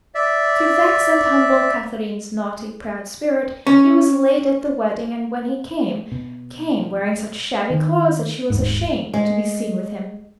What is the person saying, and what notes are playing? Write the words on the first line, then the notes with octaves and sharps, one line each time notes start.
To vex and humble Katharine's naughty, proud spirit, he was late at the wedding, and when he came, came wearing such shabby clothes that she was ashamed to be seen with him.
D5 E5
C#4
B2
D#3
D#1 G#1 G#2
G#3